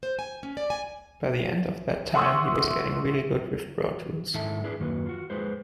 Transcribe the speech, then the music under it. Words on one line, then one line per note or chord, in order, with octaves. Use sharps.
By the end of that time he was getting really good with Pro-Tools.
C5
G#5
C#4
D5
G#5
E5 F#5 C6 C#6 D#6 E6
G#2 D#3 E4 A4 E5 A5
D4 E4 G#4 B4 D5
F#2 D#3 A#3 F#4 B4
F4 F#4
G#3 G#4 B4 C5